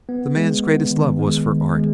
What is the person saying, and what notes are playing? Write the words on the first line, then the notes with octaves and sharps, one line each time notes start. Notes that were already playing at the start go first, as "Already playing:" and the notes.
The man's greatest love was for art.
B3
G#3
B3
D#3
G#3
D#3
G#3